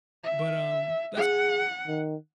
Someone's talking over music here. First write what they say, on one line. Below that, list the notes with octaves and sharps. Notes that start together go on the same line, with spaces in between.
But, um, that's
E5
G#4 F#5
D#3